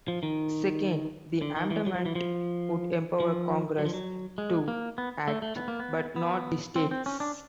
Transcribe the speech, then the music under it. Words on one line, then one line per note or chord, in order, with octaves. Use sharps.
Second, the amendment would empower "Congress" to act, but not the states.
F3
D#3
D3
D#3
E3
F#3
F3
E3
F3
F3
F#3
F3
F#3
G#3
A#3
B3
A3
A3
B3
A#3
B3
B3
C4
C4
C#4
D4